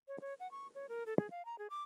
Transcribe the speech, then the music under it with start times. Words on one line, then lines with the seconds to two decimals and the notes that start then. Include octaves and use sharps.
Where there no such beings, men would not die.
0.08 C#5
0.21 C#5
0.40 F#5
0.51 C#6
0.75 C#5
0.89 A#4
1.06 A4
1.18 G#4
1.31 F5
1.45 A#5
1.58 G#4
1.70 D6